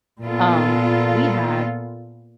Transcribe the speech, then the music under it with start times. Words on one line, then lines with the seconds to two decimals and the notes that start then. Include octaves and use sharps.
um, we had
0.22 A#2 B3 F4 A4